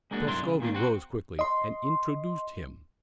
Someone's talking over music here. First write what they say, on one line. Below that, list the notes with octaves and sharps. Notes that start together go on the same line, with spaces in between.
Prascovie rose quickly and introduced him.
G#3 A#3 D4 F#4
B1 G2 D4 E4 A#4 C6
C#3
A#2 D#3 A#3 D4
C4 F#4
D#5 C6